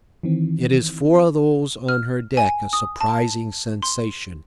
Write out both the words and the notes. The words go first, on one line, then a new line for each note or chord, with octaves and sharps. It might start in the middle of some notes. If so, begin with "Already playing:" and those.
It is for those on her deck a surprising sensation.
D#3 E3 C4
F6
G#5
D#6
A5
C6